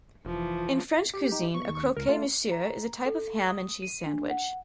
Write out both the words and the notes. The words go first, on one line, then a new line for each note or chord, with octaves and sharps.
In French cuisine, a croque-monsieur is a type of ham and cheese sandwich.
F1 E3 F3
G4
D#4
B2 C#6
D#2
C#2 A#4
A3 F4
A#5
A4
D#6
D#7
D4
F#5